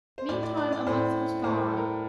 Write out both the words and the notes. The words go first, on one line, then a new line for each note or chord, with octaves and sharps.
Meantime a month was gone.
C5
A2 D5
D5
D5
D5
A2 C5
A2 C5
A#4
A4
A#4